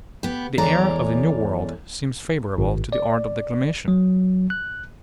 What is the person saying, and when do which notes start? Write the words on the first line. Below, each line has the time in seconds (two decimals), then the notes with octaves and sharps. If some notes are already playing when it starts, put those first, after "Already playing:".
The air of the New World seems favourable to the art of declamation.
0.23 B3 G4
0.58 E2 G#3 A4 C#5 D5 A#5
2.58 G#1
2.92 D5
3.88 F#3
4.50 F#6